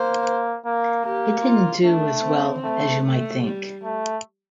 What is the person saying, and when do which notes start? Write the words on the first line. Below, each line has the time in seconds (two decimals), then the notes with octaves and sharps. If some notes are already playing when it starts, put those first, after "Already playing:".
It didn't do as well as you might think.
Already playing: A#3 C5
0.65 A#3
1.05 A#3 G4
1.44 F4
1.85 A3 D4
2.24 C4
2.64 A3
3.04 A3
3.44 G3
3.84 A3